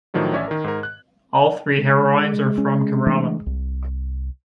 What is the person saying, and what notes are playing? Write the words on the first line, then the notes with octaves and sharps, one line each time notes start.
All three heroines are from Kerala.
A2 D#3 F3 F#3 D4
A1 C#4 C#5 D5 E5 G#6
D#3 A#4
G#2 A#4
F#6
G#3
C#4
E3 A3 D4
C2